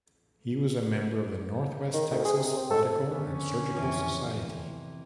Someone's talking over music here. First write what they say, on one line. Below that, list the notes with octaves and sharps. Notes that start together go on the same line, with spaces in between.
He was a member of the Northwest Texas Medical and Surgical Society.
D#3
D2
G#4
C3
C4
A4
D3 B3 C#4
F2 C3 E3